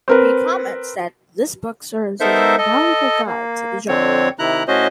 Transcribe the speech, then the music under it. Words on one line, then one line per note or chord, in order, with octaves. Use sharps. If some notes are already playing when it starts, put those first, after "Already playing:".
He comments that "this book serves as an invaluable guide to the genre".
C4 A#4 B4
B3 D#4 A4 A#4 C5 E5
A4 D#5
A#3
F2 D3 C4 C#5
C3 D#3 E4 A#5 F#6
A2 C#4 F#4 C5 D#5